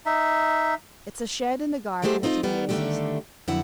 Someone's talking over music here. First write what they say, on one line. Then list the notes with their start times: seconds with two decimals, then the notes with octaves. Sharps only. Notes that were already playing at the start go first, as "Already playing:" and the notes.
It's a shed in the garden that he uses.
0.06 D#4 E5
2.02 E3 F#3 G#3 A3 G4 C5
2.23 C4 D#4 F4 A#4 D#5
2.43 D#3 G3 B3
2.69 D3 D#3 G#3 A3 D4 G4
3.48 F2 D3 F#3 E4 F#5